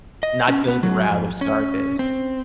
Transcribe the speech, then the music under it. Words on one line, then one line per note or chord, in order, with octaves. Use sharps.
Not go the route of Scarface.
D#5
C#4
B3
F#3
F2
C#4
C4